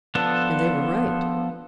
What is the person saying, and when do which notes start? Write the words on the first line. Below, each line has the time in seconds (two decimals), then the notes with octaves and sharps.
And they were right.
0.15 F3 B3 D4 A4